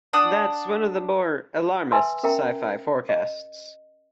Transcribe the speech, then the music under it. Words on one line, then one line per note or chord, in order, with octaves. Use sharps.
That's one of the more alarmist sci-fi forecasts.
D4 F#5 D#6
B4 E5 G#5 A5 C6 E6
C#4 A#4 E5 G5 A#5
D#5